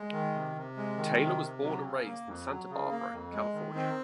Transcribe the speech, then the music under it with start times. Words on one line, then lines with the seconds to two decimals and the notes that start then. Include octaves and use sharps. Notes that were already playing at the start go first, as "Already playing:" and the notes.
Taylor was born and raised in Santa Barbara, California.
Already playing: G#3
0.12 D#3
0.33 C3
0.55 C3
0.77 G#3
0.97 D#3
1.19 C3
1.41 C3
1.62 F#3
1.83 C#3
2.05 A#3
2.26 F2
2.48 F#3
2.69 C#3
2.90 A#3
3.11 F2
3.33 G#3
3.54 D#3
3.75 C4